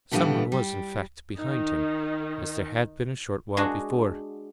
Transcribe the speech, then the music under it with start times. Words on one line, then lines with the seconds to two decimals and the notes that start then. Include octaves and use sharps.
Some one was, in fact, behind him, as there had been a short while before.
0.11 A2 D3 E3 F3 G3 B3
0.52 G3
1.37 D#3 D#4
3.57 G#3 D4 F#4